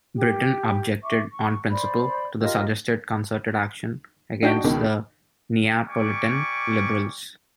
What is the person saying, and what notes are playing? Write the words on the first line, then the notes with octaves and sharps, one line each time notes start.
Britain objected, on principle, to the suggested concerted action against the Neapolitan Liberals.
G4
E5 C#6 D6
C#6
C5 D5 B5
F4 G4 A#4 D#5
D4 D#4 F#4 G5
C#2 B2 D#3
G3 G#5 C#6 D6